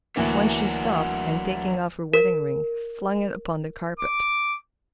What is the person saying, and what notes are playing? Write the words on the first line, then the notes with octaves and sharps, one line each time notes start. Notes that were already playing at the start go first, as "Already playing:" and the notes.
Once she stopped, and taking off her wedding ring, flung it upon the carpet.
D2 E3 F#3 A#3 D4 F#4
A#4
D6